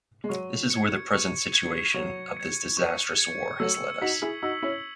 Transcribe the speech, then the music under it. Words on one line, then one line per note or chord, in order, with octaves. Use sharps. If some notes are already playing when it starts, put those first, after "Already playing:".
This is where the present situation of this disastrous war has led us.
G#3
F#3 C#6
C#7
G#6
C#6
G#6 C#7
F#3 C#6
G#6 C#7
C#6
G#6 C#7
F#3 A3 E6
D#4 F#4 B6 F#7
E4 G#4
D#4 F#4 E6
C#4 E4